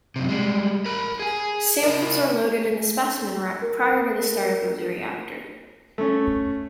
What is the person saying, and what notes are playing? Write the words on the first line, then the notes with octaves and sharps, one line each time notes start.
Samples are loaded in the specimen rack prior to the start-up of the reactor.
F#2 C3
G3 G#3
A#4 B5
G#4 G#5
E4 A#4
A#4
A3 C#4